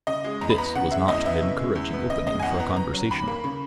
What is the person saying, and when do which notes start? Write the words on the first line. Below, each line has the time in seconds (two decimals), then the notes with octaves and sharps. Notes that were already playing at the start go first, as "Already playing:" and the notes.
This was not an encouraging opening for a conversation.
0.07 C#3 D#5
0.24 G#3
0.41 E2 A#5
0.50 B5
0.58 B3 A#5
0.75 C#3 F#5
0.91 G#3 E5
1.08 E2 D#5
1.26 B3 E5
1.43 C#3
1.59 G#3
1.75 E2
1.93 B3
2.10 C#3 D#5
2.27 G#3 D#5
2.40 G#5
2.43 E2 F#5
2.60 B3 A#5
2.76 C#3 A#5
2.94 F#3
3.11 D#2 B5
3.28 A#3
3.44 C#3